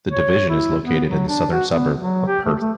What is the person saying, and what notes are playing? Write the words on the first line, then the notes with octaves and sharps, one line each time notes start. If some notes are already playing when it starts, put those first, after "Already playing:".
The Division is located in the southern suburbs of Perth.
C#5
E4
B3
F#3
D4
F#4
B3
F#3
G4
A3
A3